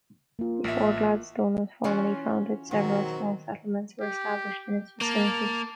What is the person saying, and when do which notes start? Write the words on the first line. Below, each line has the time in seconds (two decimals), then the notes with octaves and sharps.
Before Gladstone was formally founded, several small settlements were established in its vicinity.
0.39 A#3 F4
0.64 A1 E5
1.84 E3 C#4 F4 F#4
2.71 B2 D#3 F#3 C4 F#4
4.00 G4
5.01 A#3 A5